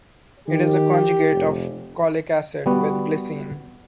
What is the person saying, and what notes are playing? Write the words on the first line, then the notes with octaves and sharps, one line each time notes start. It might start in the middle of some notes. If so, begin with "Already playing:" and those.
It is a conjugate of cholic acid with glycine.
D#3 G4
F1
G3 B3 F#4